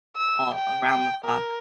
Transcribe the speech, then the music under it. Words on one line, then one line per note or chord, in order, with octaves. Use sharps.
all around the clock.
E6
G5
G5
A#4